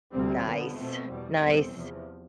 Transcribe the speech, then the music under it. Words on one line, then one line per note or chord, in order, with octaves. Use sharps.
Nice. Nice.
D2 C3 G3 C4
F2 D3 G3 B3
B2 A3 C4
E2 B2 G3
E2 B2 G3 C4
E2 C3 F3